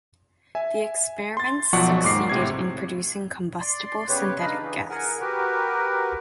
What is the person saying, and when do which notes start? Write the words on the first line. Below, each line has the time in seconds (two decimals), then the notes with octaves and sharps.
The experiments succeeded in producing combustible synthetic gas.
0.55 E5 G#5
1.37 C6 A6
1.73 B1 F3 F#3 D5 F#5 C#6
2.03 D#2 G#2 D6 C7
2.29 A2 C3 G#6
3.61 D5 C6
4.08 C#3 B3 G4 B4 C#5
4.40 D4 D#4 B4 D#5 F5 B5
4.60 E3
4.89 G#4 A#4 F#5 G#5
5.21 F#4 G4 A#4 B4